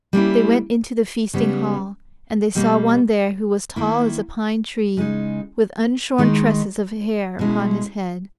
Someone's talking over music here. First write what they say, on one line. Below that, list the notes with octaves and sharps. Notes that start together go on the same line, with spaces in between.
They went into the feasting hall and they saw one there who was tall as a pine tree, with unshorn tresses of hair upon his head.
G3 A#3 C#4 E4
C#3 G3 B3
B2 G3 A#3
D#3 A#3 E4
C#3 G#3 D#4
D#3 G#3 D#4
B2 G#3 C#4 E4